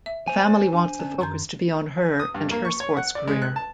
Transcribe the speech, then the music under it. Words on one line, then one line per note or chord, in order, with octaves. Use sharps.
The family wants the focus to be on her and her sports career.
E5
C5 G#5
C#5
D4
D3 C#4
F#2 D#3 A#5 C6 G6
D#6
G2
A#3
C#6
C#5
F#5
D5
G#3
F#6
A5